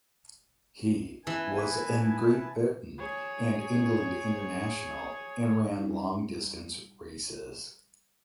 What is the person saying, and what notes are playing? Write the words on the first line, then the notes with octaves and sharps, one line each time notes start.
He was an Great Britain and England international and ran long distance races.
E3 B3 E4 B4 G#5 A5
G#4 C#5
G3 D#4